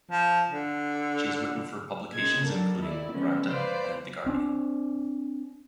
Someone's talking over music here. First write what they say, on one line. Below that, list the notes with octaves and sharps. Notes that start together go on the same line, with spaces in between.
She has written for publications including "Granta" and "The Guardian".
F3
D3
A#2 G#3 C#4 G#6
F#3 D4 A4 A#4
D#2 E4 D5
D3 F3 G#3 B3 C#4
B4 C5 D5 F5
C4 D4